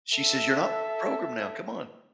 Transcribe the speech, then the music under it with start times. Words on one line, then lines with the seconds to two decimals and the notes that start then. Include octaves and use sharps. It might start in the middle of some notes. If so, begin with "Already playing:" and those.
She says, "You're not programmed now, come on.
0.16 A4 E5